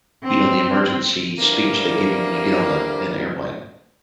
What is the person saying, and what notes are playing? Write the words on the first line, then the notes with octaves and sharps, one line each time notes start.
you know, the emergency speech they give you when you get on a an airplane,
C4
D3 E3 F3 G3 A#3